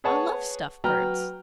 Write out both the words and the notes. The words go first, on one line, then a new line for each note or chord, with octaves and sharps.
"I love stuffed birds."
G#4 B4 C#5 F#5 A5 C#6
F#3 B4 G5 A#5 F6